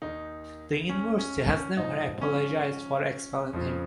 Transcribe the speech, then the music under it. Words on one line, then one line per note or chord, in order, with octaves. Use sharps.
The university has never apologized for expelling him.
D#2 D#3 D#4
C#4
C#4
C#4
G#2 F3 D#4
C#4
F2 C#3 F3